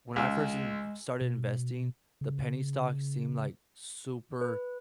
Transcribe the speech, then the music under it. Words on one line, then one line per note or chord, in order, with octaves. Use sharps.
when I first ev started investing, the penny stocks seemed, like, super,
C#2 G#3
B2
C#3
B4